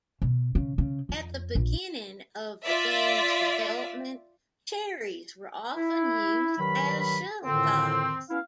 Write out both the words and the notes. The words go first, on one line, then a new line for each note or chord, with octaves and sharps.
At the beginning of the game's development, cherries were often used as shuttlecocks.
B2
C#3
C#3
F2
A#1
F4 D5 E5
E4
G2 D#3 F#3 B5
F2 A2 D3 D#3 C4
B3 C#4 E4 F5